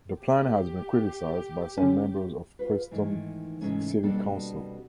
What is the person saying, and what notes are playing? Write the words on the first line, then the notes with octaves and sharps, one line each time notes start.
The plan has been criticised by some members of Preston City Council.
G4
D3 C#4
F4 B4
G#2 D#3 E3 A3
G#2 C3 E3 A3 C#4
B2 G3 A#3 C4 D4 A4